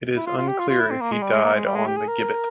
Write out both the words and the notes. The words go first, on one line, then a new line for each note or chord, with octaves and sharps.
It is unclear if he died on the gibbet.
E4
F4
F4
G4
F4
F4
E4
C4
A#3
G#3
G3
G#3
A#3
G#3
G3
G#3
G4
G#4
A#4